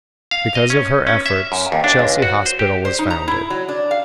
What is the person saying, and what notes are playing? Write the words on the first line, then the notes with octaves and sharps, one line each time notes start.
Because of her efforts Chelsea Hospital was founded.
F5
D#5
C#4
C#4
E5
F#2
D#2
D4
C#2
F#4
C5
G4
C5
D#4
A#5
E4
F#3
D4
F5